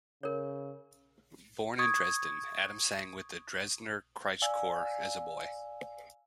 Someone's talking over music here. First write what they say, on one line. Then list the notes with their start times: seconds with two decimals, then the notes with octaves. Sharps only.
Born in Dresden, Adam sang with the Dresdner Kreuzchor as a boy.
0.23 C#3 A#4 C#5
1.79 C#6 D#6 G#6
4.42 D5 F5 G#5 E6